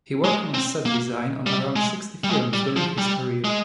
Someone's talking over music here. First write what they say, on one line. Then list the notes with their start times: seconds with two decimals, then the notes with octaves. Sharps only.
He worked on set design on around sixty films during his career.
0.24 G#3
0.54 C4
0.85 A#3
1.47 G3
1.76 G#3
2.24 G3
2.29 G#3
2.53 G3
2.76 F3
2.99 G3
3.44 G#3